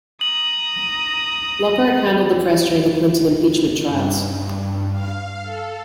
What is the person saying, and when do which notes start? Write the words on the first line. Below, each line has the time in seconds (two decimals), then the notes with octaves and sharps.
Lockhart handled the press during the Clinton impeachment trials.
0.21 A#5 D#6 F#7
3.87 G2
4.91 F5
5.41 A4